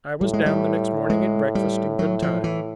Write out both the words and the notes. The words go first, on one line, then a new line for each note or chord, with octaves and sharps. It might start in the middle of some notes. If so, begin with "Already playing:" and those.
I was down the next morning at breakfast in good time.
A2 G3
G#3
G3
G#3
G3
F#3
F3
E3